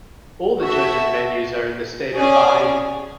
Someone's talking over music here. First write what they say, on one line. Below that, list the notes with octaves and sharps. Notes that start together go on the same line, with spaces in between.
All the chosen venues are in the state of Bahia.
F#4 A4 E5
C#4 G#4 D5 G#5